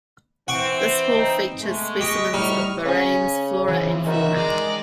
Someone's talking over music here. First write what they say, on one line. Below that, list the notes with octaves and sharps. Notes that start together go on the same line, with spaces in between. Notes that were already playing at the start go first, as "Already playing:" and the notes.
This hall features specimens of Bahrain's flora and fauna.
E3 C4 F#5 C#6 D6
D#4
B2 G#3 A3
G4 D#5 C#6 D6
A2 G3 D#4 C#6 F6
C#3 C#4
E3 F3 C4
D#3 F#4 E5
G#3 D5 A#5